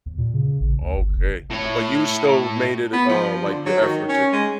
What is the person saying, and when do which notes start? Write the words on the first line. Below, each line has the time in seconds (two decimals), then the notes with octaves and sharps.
Okay, but you still made it d uh, like your effort to
0.06 D#2
0.18 A#2
0.34 C#3
0.60 A1
0.81 D2
0.96 G1
1.16 F#1
1.51 A2 C#5
2.93 B3
3.09 F3
3.45 D3
3.66 F#3
3.81 D#3
4.09 C#4
4.33 G#3